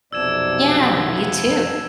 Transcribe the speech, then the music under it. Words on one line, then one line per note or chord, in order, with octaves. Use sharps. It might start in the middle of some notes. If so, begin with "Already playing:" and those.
Yeah, you too.
B1 F2 C3 F3 D5 E6 G#6 E7
B3